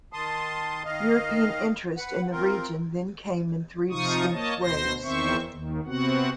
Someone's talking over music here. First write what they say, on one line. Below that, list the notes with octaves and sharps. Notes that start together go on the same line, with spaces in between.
European interest in the region then came in three distinct waves.
D#3 A5 C6 D#6
D#3 D#5 F5
B4 F#5
C4 F4 A#4
C3 F3 D#4 F4 C#6 D#6
A#3 C#5 D#5 A5
D2 B2 C5 C6 A#6
E2 D#3 C4 C5 E5 C#6
D#2 D#3
C3 B3 C4 F#4 F#5